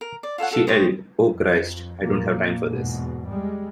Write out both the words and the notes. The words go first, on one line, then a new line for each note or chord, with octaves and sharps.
She yelled, 'Oh, Christ, I don't have time for this.
A#4
D5
F4 A4 C#5 F#5
F#4 A4 F5
G4 C5 C#5 D#5
F2
F2 A#2 A#3
E2 G#2 B2
G3 G#3